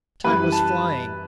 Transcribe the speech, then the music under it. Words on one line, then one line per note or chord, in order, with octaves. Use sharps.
Time was flying.
F#2 E3 G3 B4
A5